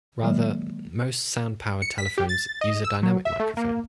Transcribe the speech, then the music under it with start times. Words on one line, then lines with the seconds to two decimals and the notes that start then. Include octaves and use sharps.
Rather, most sound-powered telephones use a dynamic microphone.
0.21 D#3 F#3 G#3 A#3
1.82 C#7
1.98 B6
2.18 G4
2.29 A6
2.61 D#5
2.85 E6
3.03 F#3
3.25 E5
3.40 A3
3.57 A#3